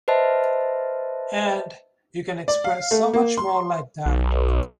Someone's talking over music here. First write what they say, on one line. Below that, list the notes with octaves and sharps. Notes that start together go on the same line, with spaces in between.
And you can express so much more like that.
B4 C5 D#5 E5 A5
D5
F5
A3
A#3
C6
B1